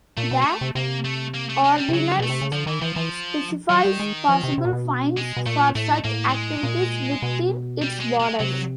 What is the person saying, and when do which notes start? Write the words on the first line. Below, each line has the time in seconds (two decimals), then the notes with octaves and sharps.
The ordinance specifies possible fines for such activities within its borders.
0.17 A#2 A3
0.31 B2
0.42 A#3
0.46 A3
0.61 C3
0.75 C3 A#3
1.05 A3
1.34 A#3
1.50 A3
1.64 G#3
1.78 G3
1.89 C3
1.93 C#3 F#3
2.19 B2 A3
2.30 C3
2.41 C#3
2.52 D3 F3
2.66 D#3 E3
2.82 E3 F3
2.96 E3 F3
3.69 D#3 F#3
3.85 G3
4.00 G#3
4.29 F3
4.43 C3
4.58 C3
4.65 A#2
4.73 B2
5.17 G#3
5.37 B2
5.46 A#2 A3
5.75 A2 A3
6.04 A2 A#3
6.29 G3
6.34 G#3
6.63 A#2
7.22 B2
7.82 G3
8.00 G#3
8.20 G#3
8.40 C3 F#3